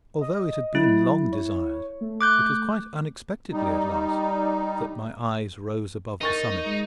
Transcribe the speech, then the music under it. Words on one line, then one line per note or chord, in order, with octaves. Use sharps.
Although it had been long desired, it was quite unexpectedly at last that my eyes rose above the summit.
D#5
F#3 E4
C#5
A3
D6 F#6 G6
G3 D#4
D#4 A#4 C#6 A6
G#3